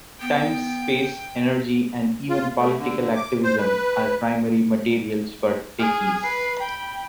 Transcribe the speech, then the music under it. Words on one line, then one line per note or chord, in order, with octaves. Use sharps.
Time, space, energy and even political activism are primary materials for Takis.
B3 G5
F4
A3
D3
D6
C5
B4
G#4 F6
B4 C7
G5 B5